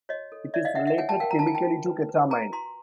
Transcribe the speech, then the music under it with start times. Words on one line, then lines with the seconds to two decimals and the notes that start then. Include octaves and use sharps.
It is related chemically to ketamine.
0.09 F#4 C#5 D#5
0.32 A4
0.54 C#5 D5 E5
0.65 D#5 F5
0.75 D4 E5 F#5
0.87 E5 F#5
0.98 C#5 F#5 G#5
1.09 G5 A5
1.20 A#4 F5 G5
1.31 A#5
1.39 A5
1.42 F4
1.47 G#5
1.55 G5 A5
1.65 F4
1.86 B4
2.09 B4
2.30 B4 G#5 A#5
2.52 F#4 A#5 C6